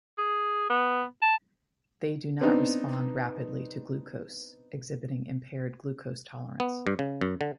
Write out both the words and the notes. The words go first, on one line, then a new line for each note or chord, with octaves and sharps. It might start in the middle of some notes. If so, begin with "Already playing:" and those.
They do not respond rapidly to glucose, exhibiting impaired glucose tolerance.
G#4
B3
A5
B3 C4 D4 D#4
B3
G2
C#3
F#2
D3